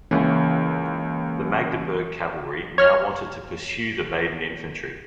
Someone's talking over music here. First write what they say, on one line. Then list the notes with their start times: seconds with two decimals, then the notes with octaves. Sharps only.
The Magdeburg cavalry now wanted to pursue the Baden infantry.
0.11 C#2 E3 A#3 C#4
2.78 C#5 F6